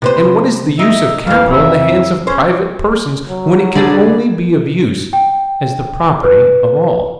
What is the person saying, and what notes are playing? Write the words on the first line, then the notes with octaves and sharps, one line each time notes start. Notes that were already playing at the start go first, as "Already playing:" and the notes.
And what is the use of capital in the hands of private persons, when it can only be of use as the property of all?
C3 B4 C5
D#4 E5
F2 E3 F5
E5
C#4 C5
F#3
D3 G#4 B4 D5
G5
B4